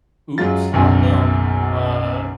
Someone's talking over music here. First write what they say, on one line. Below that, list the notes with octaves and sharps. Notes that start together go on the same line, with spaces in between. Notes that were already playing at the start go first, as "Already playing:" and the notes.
Oops on them. Uh,
F#2 F#3 G#3 F4 A6
F#1 B1 F#2 G#5